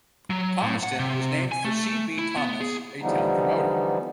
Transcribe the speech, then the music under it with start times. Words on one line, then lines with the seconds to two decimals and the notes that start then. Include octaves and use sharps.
Thomaston was named for C. B. Thomas, a town promoter.
0.30 F#3
0.62 A2
0.83 F#5
0.99 C3
1.52 G#5
1.65 A3
2.18 E4
2.37 B3
2.60 G#4
3.02 D3 E3 F3 G3 B3 D#4